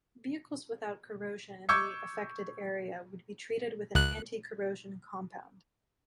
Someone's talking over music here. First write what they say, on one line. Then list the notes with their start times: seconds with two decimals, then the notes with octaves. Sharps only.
Vehicles without corrosion in the affected area would be treated with an anti-corrosion compound.
1.69 C#6 D6 E6 G6 G#6 C#7
3.95 C#2 F#6